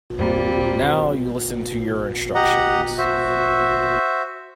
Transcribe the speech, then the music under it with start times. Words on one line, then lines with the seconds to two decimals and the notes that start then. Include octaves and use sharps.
Now you listen to your instructions.
0.18 D#1 G2 A#2 G3 A#3 C4 F#4 C5
2.35 G4 D#5 F#5 A#5
2.98 F#4 C5 E5